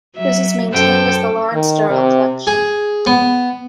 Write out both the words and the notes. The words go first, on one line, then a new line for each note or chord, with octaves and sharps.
This is maintained as the Lawrence Durrell Collection.
F#3 E5
F#2 A4 C5 G5
D#3
C3
G#4
B3